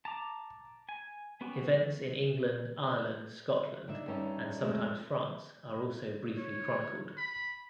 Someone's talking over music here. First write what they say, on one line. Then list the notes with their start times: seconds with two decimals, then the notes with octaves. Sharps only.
Events in England, Ireland, Scotland and sometimes France are also briefly chronicled.
0.05 A5 A#5 D6
0.89 G#5
1.41 B3 C#4 F#4 G4
3.88 D4 D#4 E5
4.06 G2 D#3 G3 C#4 D#4 E5
4.61 F2 G#3 A3 C#5
6.37 C#5
7.17 B5